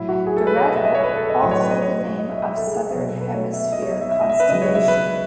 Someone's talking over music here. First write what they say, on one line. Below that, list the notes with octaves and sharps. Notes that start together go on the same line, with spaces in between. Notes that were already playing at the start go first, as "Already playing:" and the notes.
Dorado also the name of southern hemisphere constellation.
Already playing: A2 F#3 E4
F#4
G#4
A4
B4
C#5
D#5
E5
D#5
C#5
B4
A4
D#5
A2 F#3 D#5
C#5
B4
D#5
C#5
D#5
E5
D#5
E5
A4
G#4
A4
D#5
B2 F#3 C#5
A4
B4
C#5
E5
D#5
C#5
D#5
E5
E5
D#5
E5
B4
C#3 F#3 D#5
C#5
E5
B4